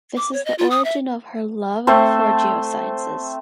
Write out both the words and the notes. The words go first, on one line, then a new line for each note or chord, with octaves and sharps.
This is the origin of her love for geosciences.
D6
C#5
D#5
F4
D#6
E5
A3 C4 C5